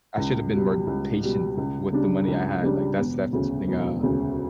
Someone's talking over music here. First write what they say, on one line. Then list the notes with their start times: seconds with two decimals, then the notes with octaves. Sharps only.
I should’ve been more patient with the money I had, like, that's definitely something, uh
0.18 C#2
0.53 B2 G3
0.87 C#2
1.23 B2 G3
1.57 C#2
1.93 C#3 G3 D4
2.28 C#2
2.62 C#3 G3 D4
2.98 E1
3.33 D2 C#3
3.68 E1
4.03 D2 C#3